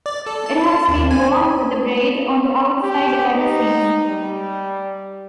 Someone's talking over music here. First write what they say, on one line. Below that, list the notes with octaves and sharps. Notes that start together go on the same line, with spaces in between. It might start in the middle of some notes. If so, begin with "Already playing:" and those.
It has been worn with the braid on the outside ever since.
D5
A4
A5
D#2
G#5
G4
D#4
G3